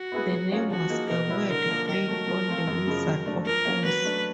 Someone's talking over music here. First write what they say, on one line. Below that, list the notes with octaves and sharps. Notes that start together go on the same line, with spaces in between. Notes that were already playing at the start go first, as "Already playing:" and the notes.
The name was a word play on The Wizard of Oz.
Already playing: F#4
B3 E4 G#4 B4
F#3
A#3 C#4 F4 G#4
F3 F#4
A#3 D#4 G#4
B2 A#4
F#3 B3 E4
D3 A#4
F3 A#3
D#3 A#4
F#3 A3
F3
A3 C4 F4
F#2
C#3 F3 G#3
F#3
A3 D4
F3 A#4
A#3 C#4
F#3 B4
A3 D4